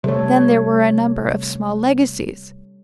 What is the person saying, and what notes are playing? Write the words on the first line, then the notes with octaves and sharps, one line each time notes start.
Then there were a number of small legacies.
C3 G3 A3 A4 C#5